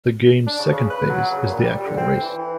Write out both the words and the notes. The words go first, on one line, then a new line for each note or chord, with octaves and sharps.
The game's second phase is the actual race.
D4
C#3
C#3
B4
F#3
C#3
A#2
G3
D3
C4
E3
E3